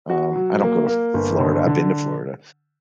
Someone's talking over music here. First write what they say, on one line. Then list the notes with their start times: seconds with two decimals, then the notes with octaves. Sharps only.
um, I don't go to Florida. I've been to Florida,
0.10 F#4
0.36 F#3
0.61 A#3
0.87 A#3
1.14 G1
1.39 D3
1.66 D3